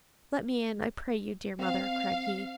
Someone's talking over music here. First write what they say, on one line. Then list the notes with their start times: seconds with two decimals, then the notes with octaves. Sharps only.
'Let me in, I pray you, dear mother,' cried he.
1.59 C4 F5